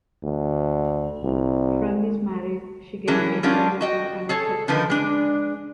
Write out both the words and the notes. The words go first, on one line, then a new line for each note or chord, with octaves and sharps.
From this marriage she gained a stepdaughter and a stepson.
D2
C2
E3 F#3 C#4 G#4 A#4
F#3 C#4 D4 F4 G4 A#4
F#4 D#5 G5
G#4 A4 C#5
D3 D#3 F3 D#4 A#4 B4
G#3 D4